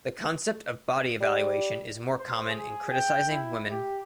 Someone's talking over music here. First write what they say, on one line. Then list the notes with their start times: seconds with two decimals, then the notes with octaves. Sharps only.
The concept of body evaluation is more common in criticizing women.
1.21 G3
2.19 C5
2.49 G#4
2.90 G5
3.29 E4
3.70 G4